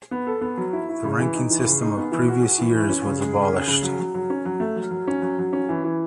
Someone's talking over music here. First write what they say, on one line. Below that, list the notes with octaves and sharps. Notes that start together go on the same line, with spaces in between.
The ranking system of previous years was abolished.
B3
A4
B3
F#3
E4
E4
C#3
E3
D#4
E3
C#3
D#4
B3
E3
F#4
F#4
E3
E3
C#4
C#3
G#3
C#3
C#4
C#3
F#3
F#3
F#3
C#4
F#3
A3
F#3
F#3
C#4
F#3
F#3
C#4
E3
E3